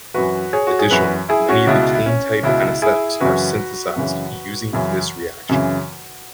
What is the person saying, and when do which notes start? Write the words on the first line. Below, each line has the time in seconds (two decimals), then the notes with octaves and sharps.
Additionally, many of the "caine"-type anesthetics are synthesized using this reaction.
0.14 F#2 E3 F#4 B4
0.53 G#4 C#5
0.67 F#4
0.79 G#4
0.91 F#2 E3 F#4 B4
1.29 E4 G#4
1.49 C#4 F#4
1.67 C#2 B2 E4
1.93 E4
2.06 C#4
2.43 C#2 B2 E4
2.82 E4 G#4
3.20 F#2 C#3 E3 F#4 B4
3.96 F#2 C#3 E3
4.73 F#2 C#3 E3
5.49 F#2 C#3 E3